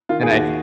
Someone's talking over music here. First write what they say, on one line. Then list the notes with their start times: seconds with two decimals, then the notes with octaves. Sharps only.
And I th
0.09 D#3 F4
0.23 G#4
0.31 D#2 F#4